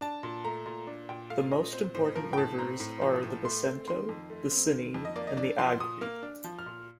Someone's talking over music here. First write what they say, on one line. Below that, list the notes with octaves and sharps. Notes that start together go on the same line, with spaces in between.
The most important rivers are the Basento, the Sinni, and the Agri.
D4 A5
A#2
A3 A#5
A#2
D4
A#2 G5
A3 F5
A#2 D#5
C4 C5
A2 C5
F3 A#4
G5
A2 A5
C4 A#5
A2
F3
A2
A3 C6
C4
D#3 C6
F2
A3
C4
D#3
F2
D#5
A#3 D5
D#5
D4 D5
F3 C6
A#2 D#6
A#3 F6
D4
F3
F6
A#2